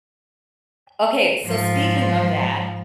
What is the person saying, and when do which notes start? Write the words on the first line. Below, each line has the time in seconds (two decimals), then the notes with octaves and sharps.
Okay, so speaking of that,
1.46 G#2 F3